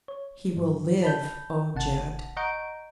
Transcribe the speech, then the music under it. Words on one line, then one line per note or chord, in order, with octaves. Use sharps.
"He will live, O Jed."
C#5
G#2 F#3
A5 B5 G6
G1 C3 F#5 A5
D#5 F#5 A#5 C#6 G6 D7